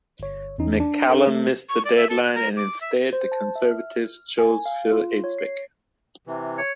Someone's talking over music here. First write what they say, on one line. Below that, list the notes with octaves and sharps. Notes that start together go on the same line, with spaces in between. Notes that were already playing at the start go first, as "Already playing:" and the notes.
McCallum missed the deadline and instead the Conservatives chose Phil Eidsvik.
G1 C#5
E2 E3 C#4 D#4
D4
D4 A4 A#4
A3
C#6
D5
E5
A4
F#6
A#4
D6
E5
C5
A5
E5
F6
G#5
F5
F4
C#5
C7
C3 E3
C#5